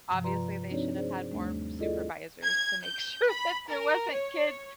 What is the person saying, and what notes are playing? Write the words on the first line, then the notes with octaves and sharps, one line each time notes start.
obviously, they should have had more supervisors to make sure that there wasn't kids
G2 C3 F3
F4 B4 D5 A#5 C6
C4 D4 D#4 F#4 C#5 D5
G#4 C5 D5
D#2 G3 A3 D4
E4 F4 G#4 A4 D5 D#5
G#6
G6
B5
A#4
C#5